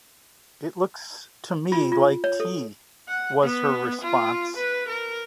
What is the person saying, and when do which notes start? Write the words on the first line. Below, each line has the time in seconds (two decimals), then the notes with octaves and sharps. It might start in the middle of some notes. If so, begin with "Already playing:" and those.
"It looks to me like tea," was her response.
1.72 F4
1.92 F4
2.24 C#5
2.40 A4
3.08 F#5
3.43 B3
4.02 F4
4.57 B4
4.89 A#4